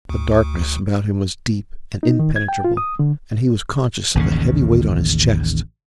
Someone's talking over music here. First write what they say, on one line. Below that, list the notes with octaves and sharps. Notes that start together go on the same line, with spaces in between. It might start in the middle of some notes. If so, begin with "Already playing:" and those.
The darkness about him was deep and impenetrable and he was conscious of a heavy weight on his chest.
D2
D#4
D#3
G#6
G5
F4
D#6
D3
A1 D#2 C#3